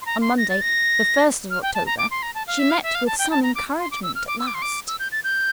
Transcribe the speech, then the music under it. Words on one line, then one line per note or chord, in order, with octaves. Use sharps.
On Monday the first of October she met with some encouragement at last.
C6
A#5
C6
A#6
A6
A#6
F6
G5
A5
A#5
D6
C6
A#5
A5
F5
E5
F5
E5
F5
A5
G5
A5
A#5
D6
C6
D6
E6
F6
D6
E6
D6
C6
D6
E6
G6
A6
G6